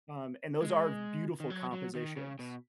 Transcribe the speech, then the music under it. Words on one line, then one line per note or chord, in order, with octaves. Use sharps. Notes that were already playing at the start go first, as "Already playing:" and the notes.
Um, and those are beautiful compositions.
G#3
D#3
F#3
F#3
D#3
C#3
B2